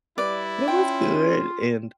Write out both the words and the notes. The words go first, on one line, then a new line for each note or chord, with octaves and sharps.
It was good. And,
G3 E4 B4 D5
C#4 F4 G5